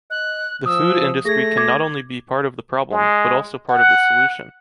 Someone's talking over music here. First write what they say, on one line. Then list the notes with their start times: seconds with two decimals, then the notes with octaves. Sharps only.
The food industry can not only be part of the problem, but also part of the solution.
0.11 D#5 F#6
0.66 F3 D#6 E6
1.25 A3 G#4 G#6 A#6
1.57 D6 G#6
2.92 G#3
3.70 F#5